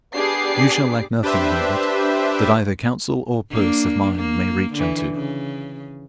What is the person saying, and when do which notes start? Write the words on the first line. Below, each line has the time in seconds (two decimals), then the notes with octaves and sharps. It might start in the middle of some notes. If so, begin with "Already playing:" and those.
'You shall lack nothing, Herbert, that either counsel or purse of mine may reach unto.'
0.14 B3 D4 G4 G#4 D6 C7
1.23 D4 G4 B4 C5 E5
3.51 A#3 D4
4.15 A#3
4.74 D3 E3
5.15 C#3